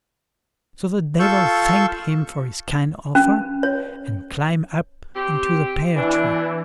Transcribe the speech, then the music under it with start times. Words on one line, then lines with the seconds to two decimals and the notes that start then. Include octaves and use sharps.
So the Devil thanked him for his kind offer, and climbed up into the pear-tree.
1.20 F4 A4 C#6 E6 G6
3.15 C#4
3.63 C#5
5.14 C4 G4
5.95 B2 E3 D4